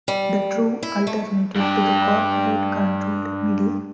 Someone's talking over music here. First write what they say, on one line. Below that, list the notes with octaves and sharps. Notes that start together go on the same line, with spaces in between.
The True alternative to the corporate controlled media.
G3
E4
A3
G2 G4